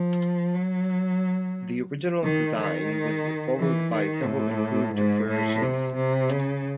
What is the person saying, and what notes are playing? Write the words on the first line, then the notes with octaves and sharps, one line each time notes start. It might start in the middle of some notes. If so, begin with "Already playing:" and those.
The original design was followed by several improved versions.
Already playing: F3
F#3
D#3
D#3
E3
D#3
A2
G#2
A2
C3
C3
C#3